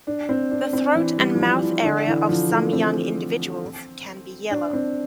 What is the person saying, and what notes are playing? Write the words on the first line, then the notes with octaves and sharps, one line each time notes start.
The throat and mouth area of some young individuals can be yellow.
D4
C4
D4
C4
E3
G3
F3
E3
E3
D3
E3
F3
A3
C4
D4
C4